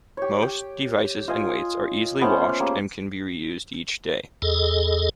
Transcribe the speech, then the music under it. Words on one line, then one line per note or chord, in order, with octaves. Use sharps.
Most devices and weights are easily washed and can be reused each day.
G4 C#5
G4
F4 D#5 F5 G#5
A3 B3 C#4 C5
G3 A#3 C#4 G#4
E2 G#4 A4 D#5